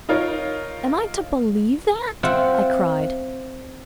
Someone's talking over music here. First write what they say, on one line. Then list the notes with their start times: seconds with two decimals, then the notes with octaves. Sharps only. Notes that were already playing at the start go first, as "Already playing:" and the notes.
"Am I to believe that?" I cried.
0.09 D#4 F4 A#4 C#5
2.23 C4 F4 E5 F#5 G5